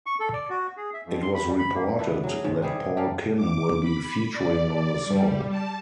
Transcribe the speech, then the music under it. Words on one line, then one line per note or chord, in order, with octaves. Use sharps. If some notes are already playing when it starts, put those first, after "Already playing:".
It was reported that Paul Kim will be featuring on the song.
C#6
A4
D5
F#4
G#4
E5
F2
C6
B5
G3
B5
A#3
B3 D4 E4
F#3 G#4
G#2 C3
C3 G3 G#4
G4 A4 D5 F5
D6
B5
D5
D5
G3
A5